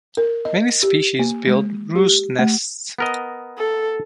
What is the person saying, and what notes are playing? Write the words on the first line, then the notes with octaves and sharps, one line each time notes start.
Many species build roost nests.
A#4
D#5
G4
A#3
G#3
G4
A3
B3 A#4 D#5
A4